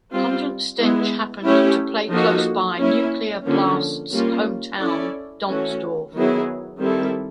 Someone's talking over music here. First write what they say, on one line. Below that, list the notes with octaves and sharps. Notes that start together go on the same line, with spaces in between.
Pungent Stench happened to play close by Nuclear Blast's hometown, Donzdorf.
G3 C4 F4
G#3 B3 E4
A3 C#4 E4 G4
F3 A#3 D#4 F#4 A4
A#3 C#4 E4
D3 F3 A#3 C#4
G3 A#3 C#4 F4
C#4 E4 A4 D5
E3 A3 C#4 F#4
D#3 F#3 B3 E4 G#4
D#3 G3 C4 E4 A4